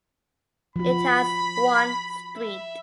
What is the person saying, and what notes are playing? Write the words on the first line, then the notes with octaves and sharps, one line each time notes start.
It has one street.
F3 F#4 B5
E5